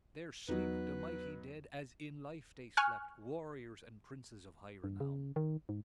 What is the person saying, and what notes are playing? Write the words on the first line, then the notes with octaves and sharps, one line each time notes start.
There sleep the mighty dead as in life they slept, warriors and princes of high renown.
E2 F#3 B3 D#4 B4
G#5 C#6 F6 F#6
G2
C#3
D#3
G#2